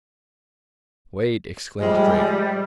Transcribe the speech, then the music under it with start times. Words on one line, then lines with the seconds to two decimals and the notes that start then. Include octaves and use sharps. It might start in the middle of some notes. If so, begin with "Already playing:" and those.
"Wait!" exclaimed Drake.
1.80 A2 F3 G3 G#3